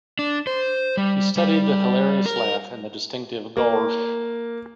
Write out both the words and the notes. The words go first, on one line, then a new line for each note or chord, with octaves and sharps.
He studied the hilarious laugh and the distinctive "gawrsh".
D4
C5
G3
G3
A#4
A#3